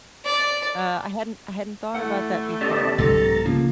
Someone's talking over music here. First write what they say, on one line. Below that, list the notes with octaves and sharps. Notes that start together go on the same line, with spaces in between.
Uh, I hadn't I hadn't thought about that before.
D5
A2 E3 A3 F#5
B3 C#4 G4 D5 D#5 A5
C2 G#2 F#3 A4 A#5 A6
C#3 F3 A#3